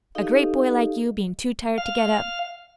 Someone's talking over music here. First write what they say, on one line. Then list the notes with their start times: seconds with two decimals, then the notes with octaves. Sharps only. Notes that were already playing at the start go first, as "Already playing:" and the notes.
A great boy like you bein' too tired to get up!
0.15 D#4 G4 A4 D#5 F5
1.78 F5